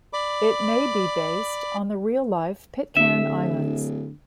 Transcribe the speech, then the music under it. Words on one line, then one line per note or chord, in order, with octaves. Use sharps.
It may be based on the real-life Pitcairn Islands.
D5 B5 D6
D1 D3 E5